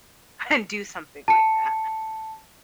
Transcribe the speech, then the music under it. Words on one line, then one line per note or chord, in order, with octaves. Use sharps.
and do something like that.
A5 C#7